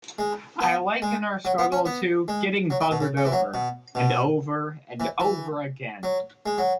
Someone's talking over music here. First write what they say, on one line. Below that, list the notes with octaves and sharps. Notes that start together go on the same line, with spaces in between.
I liken our struggle to getting buggered over, and over, and over again.
G#3
B3
G#3
F#3
B3
C#4
B3
G#3
F#3
E3
B2
C#3
C#3
E3
F#3
B2
B2
E3
E3
F#3
G#3
F#3